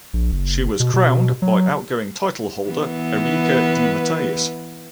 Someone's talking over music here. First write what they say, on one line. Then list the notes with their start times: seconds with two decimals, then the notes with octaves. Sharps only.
She was crowned by outgoing titleholder Erica De Matteis.
0.14 A#1
0.32 F#1
0.80 B2
0.94 B2
1.42 F#3
2.69 E3 B3 B4